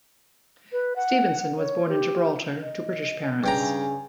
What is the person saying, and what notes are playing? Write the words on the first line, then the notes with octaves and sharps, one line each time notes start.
Stevenson was born in Gibraltar to British parents.
B4
F#5
C#5
G4
D#5
G2 C#3 G5 G#5 A#5